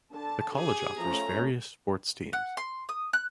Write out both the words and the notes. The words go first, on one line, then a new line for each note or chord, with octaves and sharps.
The college offers various sports teams.
D3 A5
G4 G#4 G#5
F3 A3 C#4 A#5
F#5
C6
D#6
F#6